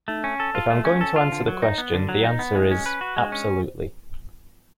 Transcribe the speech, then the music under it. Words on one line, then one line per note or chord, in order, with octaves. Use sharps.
If I'm going to answer the question, the answer is: absolutely.
A3
C#4
A4
F4
A3
C#4
A4
F4
D3
F#3
D#4
B3
D3
F#3
D#4
B3
G#3
C#4
B4
F#4
G#3
C#4